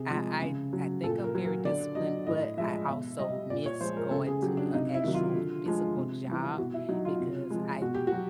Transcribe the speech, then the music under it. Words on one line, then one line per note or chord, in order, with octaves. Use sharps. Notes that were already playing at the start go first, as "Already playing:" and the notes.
I I I think I'm very disciplined, but I also miss going to a actual physical job because I
Already playing: C3 G#4
F3 G#3
C#3
F#3
A#2 A4
A#4
F#3
A#4
D3 D5
F#3 D#5
A2 D#5
F3 G#3 E5
B2 E5
G3 D#5
A#2 D5
C#5
F3 G#3 C5
A#4
C#3 A4
G#4
F#3 G4
D4
C3 D#4
E4
D#3 F#3
F4
D3
F3 G#3
C3
E3 G3
B2 F#4
E4
F#3 D#4
F4
C3
F3 G#3
B2 F#4
G4
F#4
F#3